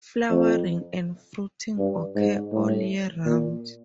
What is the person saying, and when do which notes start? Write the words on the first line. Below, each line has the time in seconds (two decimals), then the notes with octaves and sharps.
Flowering and fruiting occur all year round.
0.30 F2
1.78 G2
2.15 G#2
2.52 A2
3.25 A#2